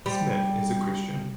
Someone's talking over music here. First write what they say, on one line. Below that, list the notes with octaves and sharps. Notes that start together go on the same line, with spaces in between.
Smith is a Christian.
G3